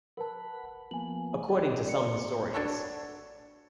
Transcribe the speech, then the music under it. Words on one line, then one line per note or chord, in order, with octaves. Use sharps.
According to some historians.
A#4 B4 F#5 A5 B5
F3 A#3 B3 G#5 F#7
G#4 D#5 A5
A4 D5 C#7
D4 F#4 A4 C#5